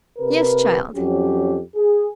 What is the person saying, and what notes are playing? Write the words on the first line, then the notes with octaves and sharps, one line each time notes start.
Yes, child.
C3 A#4 B4
F2 F#3 C#4 G4
G#4